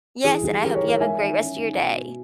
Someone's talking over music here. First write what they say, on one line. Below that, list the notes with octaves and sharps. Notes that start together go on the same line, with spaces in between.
yes, and I hope you have a great rest of your day.
E3 G#4
G3 G#4
E3 G4 A#4
A#4 C#5
E3
A#4 C#5
G#3 E5 G#5
D#3
C#4
D#3
B2
B2